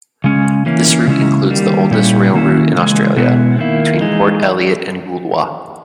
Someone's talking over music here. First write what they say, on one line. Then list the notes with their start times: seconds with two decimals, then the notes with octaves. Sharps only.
This route includes the oldest rail route in Australia, between Port Elliot and Goolwa.
0.24 C#3 G#3 C#4
0.66 E3 A#3 C#4 E4
1.07 C#3 G#3 C#4 E4
1.50 D#3 G3 A#3
1.91 A#2 G3 C#4 E4
2.34 D#3 A#3 C#4 E4
2.75 C#3 E3 G#3
3.17 B2 G#3 B3 E4
3.59 D#3 A#3 E4
4.01 E3 G#3 D#4